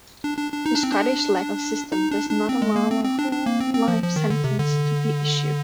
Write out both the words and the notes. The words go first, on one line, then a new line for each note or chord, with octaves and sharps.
The Scottish legal system does not allow a whole life sentence to be issued.
D4
D4
D4
D#4
D4
C4
D4
D#4
D4
D4
C4
G#3
A#3
C4
C4
D4
D4
A#3
C4
C4
F3
F3
D#3
D3
C3
D3